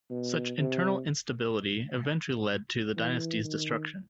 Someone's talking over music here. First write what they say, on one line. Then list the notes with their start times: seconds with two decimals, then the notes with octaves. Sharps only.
Such internal instability eventually led to the dynasty's destruction.
0.10 B2
0.59 C3
2.97 E3
3.44 D#3